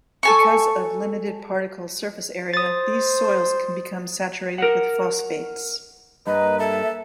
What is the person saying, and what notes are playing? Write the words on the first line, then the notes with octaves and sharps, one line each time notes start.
Because of limited particle surface area, these soils can become saturated with phosphates.
A4 G#5 C#6
C5 D#6 A6
A#4 F#5
G2 A#3 B4 D#5 A#5
A4 E5